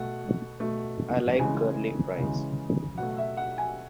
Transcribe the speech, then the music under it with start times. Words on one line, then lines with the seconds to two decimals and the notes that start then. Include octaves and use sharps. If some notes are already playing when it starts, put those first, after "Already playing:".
I like curly fries.
Already playing: B2 A3 F#5
0.60 B2 A3
1.39 C#3 E3 G#3 G#5
2.18 C#3 E3 G#3
2.97 B2 F#3 A3 F#5
3.18 E5
3.37 F#5
3.58 G#5